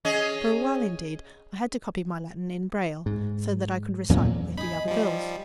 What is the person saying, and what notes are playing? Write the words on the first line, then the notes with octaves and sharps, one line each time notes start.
For a while, indeed, I had to copy my Latin in braille, so that I could recite with the other girls.
C#4 G#4 D#5
G#2
E2 A#2 F#3 C#4
D#4 G#4 B5
F3 G3